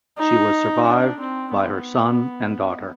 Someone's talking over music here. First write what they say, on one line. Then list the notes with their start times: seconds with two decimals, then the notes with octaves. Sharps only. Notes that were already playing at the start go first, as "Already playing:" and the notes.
She was survived by her son and daughter.
0.18 D#4
0.86 D4
1.20 C4
1.53 B3